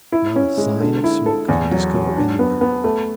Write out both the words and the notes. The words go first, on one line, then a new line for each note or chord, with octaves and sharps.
Not a sign of smoke could he discover anywhere.
E4
C#4
G#3
D3
E4
A4
E2
F#3
F#3
D4
B3
B3
A3